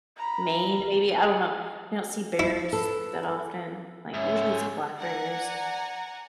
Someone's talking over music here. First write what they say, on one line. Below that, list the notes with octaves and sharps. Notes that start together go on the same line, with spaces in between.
Maine, maybe. I don't know. I don't see bears that often, like, usually it's black bears,
A#5 B5
E4
A4 B4
G#2 C#4 E5
D5 F#5 G#5 A#5